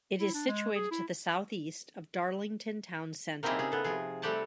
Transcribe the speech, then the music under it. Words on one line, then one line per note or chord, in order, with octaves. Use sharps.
It is situated to the south-east of Darlington town centre.
E4
D4
G#3
G#4
E4
A#3 C4 D#4 E4 G4 G#4
C#3 G#4
B3 A4
C3 F3 G#4
G3 A3 C4 G4 F#5 A5